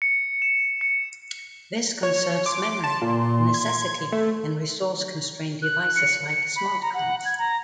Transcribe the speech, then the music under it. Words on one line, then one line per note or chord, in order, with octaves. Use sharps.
This conserves memory, a necessity in resource constrained devices like smart cards.
C#7
E7
C#7
C#5
C6 D6
A5
A#2
G#6
A3
F#6
C#7
C#7
B5
A#5
F#5
G#6
A#5